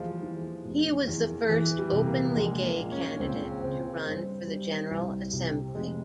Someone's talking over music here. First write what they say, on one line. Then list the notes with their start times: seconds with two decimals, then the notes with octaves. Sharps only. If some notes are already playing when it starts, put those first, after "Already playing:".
He was the first openly gay candidate to run for the General Assembly.
Already playing: E2 F3 G3 G#3 A#3
0.22 E3
0.65 F1
1.07 E2
1.49 E2 E3
1.79 G3
1.92 C3
2.06 A#3
2.35 A#1 G#3
2.64 A#3
2.78 A#2
2.92 C#4
3.20 C#2 C4
3.62 C#3 C4
4.05 G2
4.47 G3
4.91 C2
5.33 C3
5.75 F1 G#3